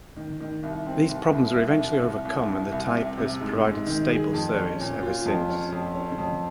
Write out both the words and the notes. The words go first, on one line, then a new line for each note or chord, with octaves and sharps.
These problems were eventually overcome and the type has provided stable service ever since.
D#3
D#3
C2
C4
C2
C2
C2
C2
C2
C2
C2
C2
C3
C3
G#2
G#2
D#3
G#4
F2
C#4
A#2
F4
F2
C#4
F2
C#4
F2